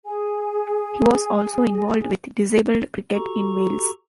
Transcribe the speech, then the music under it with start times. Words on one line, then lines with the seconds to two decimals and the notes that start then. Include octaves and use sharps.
He was also involved with disabled cricket in Wales.
0.05 G#4 G#5
3.14 F#4 G4 A4 A#5 C#6